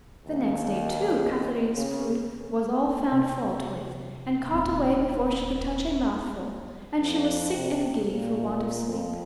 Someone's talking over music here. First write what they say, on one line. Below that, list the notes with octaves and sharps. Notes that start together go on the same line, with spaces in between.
The next day, too, Katharine's food was all found fault with, and caught away before she could touch a mouthful, and she was sick and giddy for want of sleep.
D#2
C#3
C3
D#1 C4
F2
C3
A#2
F2